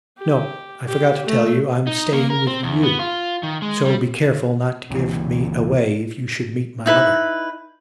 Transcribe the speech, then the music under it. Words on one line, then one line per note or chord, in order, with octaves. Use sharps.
'No, I forgot to tell you, I'm staying with you, so be careful not to give me away if you should meet mother.
G4
G4
A3
D#4
A#3
A#4
C4
E2
B3
F4
D#3
G#3
G3
C#2 E3
D#4 E4 B4